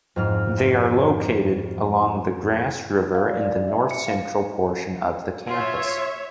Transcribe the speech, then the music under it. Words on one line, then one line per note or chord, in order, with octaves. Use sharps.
They are located along the Grasse River in the north-central portion of the campus.
F2 G#2 F6
F5
D5
D5
E5
C#7
F5
F4 C#5 E5